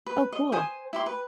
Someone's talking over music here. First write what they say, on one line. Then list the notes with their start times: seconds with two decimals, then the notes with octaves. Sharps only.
Oh, cool.
0.06 B4
0.32 D#5
0.52 C5 G#5 D#6
0.93 E4 G4 C6
1.06 B4